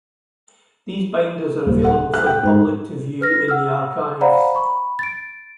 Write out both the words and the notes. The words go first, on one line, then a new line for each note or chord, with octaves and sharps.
These binders are available for the public to view in the archives.
D#1
F#5
F#6
G5
G#2
B4 F6 A#6
F#5 E6 F6
C5 D5 F5 F#5 A#5 B5
B5 C#6
A6 D7